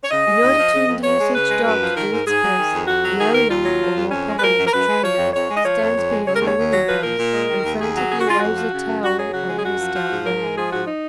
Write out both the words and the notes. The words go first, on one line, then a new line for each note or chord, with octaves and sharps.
In order to induce each dog to do its best, the owner, or more probably the trainer stands beyond the winning post, and frantically waves a towel or very stout rag.
C#5
C#3 D#5
G#3
D#2
F3
C#3
F2
F2 C#5
G#3
C#3 B4
G#3
F#2 B4
F3
D#3 A#4
G#2
G#2 G#4
F#3
D#3
F2
F2 F#4
F#3
D#3 G#4
D#2 A#4
D#2 F4
F#3
F3
F2
F2 C#4
G#3
B4
F3 A#4
F#2
A#4
F#2 B4
G#3
F3 C#5
F2
F2 C#5
G#3
D#5
F3 C#5
F2
F2
G#3
C#3 C#5
A#4
D#2
C#5
D#2
F#3
F3 B4
A#2 A#4
A#2
G#3
D#3
D#2
D#2 G#4
F#3
C#3 G#4
F#4
G#3 F4
F2 F#4
F3
C#3
F#2
F#2 F#4
F#3 G#4
C#3 F#4
G#3
G#4
F#2 F#4
F3
F3
G#2
G#2 A#4
G#3
F3 G#4
G#2 F#4
D#4